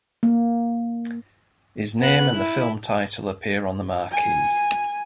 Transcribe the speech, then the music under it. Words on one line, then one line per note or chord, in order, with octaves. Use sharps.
His name and the film title appear on the marquee.
A#3
B3 F#6
E4
G#5